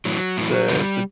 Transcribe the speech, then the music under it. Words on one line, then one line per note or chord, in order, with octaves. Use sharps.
the the
A2 E3 F#3
A2 E3
F#2 D3 F3 G3